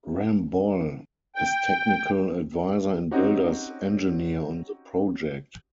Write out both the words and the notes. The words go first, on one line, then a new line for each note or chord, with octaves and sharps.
Ramboll is technical advisor and builder's engineer on the project.
G5
C4 C#4 D#4 F#4 G4